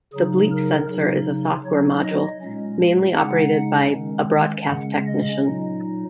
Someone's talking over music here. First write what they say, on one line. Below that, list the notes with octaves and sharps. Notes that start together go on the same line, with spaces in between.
The bleep censor is a software module, manually operated by a broadcast technician.
C#3 F#3 D#4 G#4
A#4
C#3 F#3 D#4
F#3 D#4 C#5
D#5
A#2 G#3 C#4
C#3 G#3 D#4 F#5
D#3 G#3 C#4
C#3 G#3 C#4 F#5
D#5
A#2 F#3 D#4